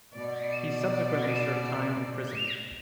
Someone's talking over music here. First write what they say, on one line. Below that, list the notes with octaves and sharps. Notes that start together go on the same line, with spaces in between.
He subsequently served time in prison.
B2 D5